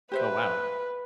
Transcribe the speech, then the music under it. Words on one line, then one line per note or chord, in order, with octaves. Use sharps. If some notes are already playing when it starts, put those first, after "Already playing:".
Oh, wow.
G4 B4 C5 E5